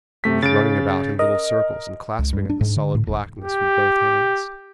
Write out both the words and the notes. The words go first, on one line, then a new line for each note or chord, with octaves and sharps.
He was running about in little circles and clasping at the solid blackness with both hands.
C3 A3 B6
C#3 A6 D7
A#4 D#5
C#2
G2
D4
G#2
D3
A2
D#1
G4